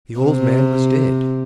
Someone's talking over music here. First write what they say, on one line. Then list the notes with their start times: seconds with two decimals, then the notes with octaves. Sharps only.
The old man was dead.
0.20 C3